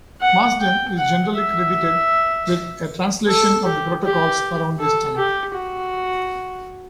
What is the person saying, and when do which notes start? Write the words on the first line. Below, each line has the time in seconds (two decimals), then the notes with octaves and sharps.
Marsden is generally credited with a translation of the "Protocols" around this time.
0.21 F#5
0.60 G5
0.98 F#5
1.35 E5
3.27 A4
3.65 G4
4.04 G4
4.80 A4
5.17 G4
5.55 F#4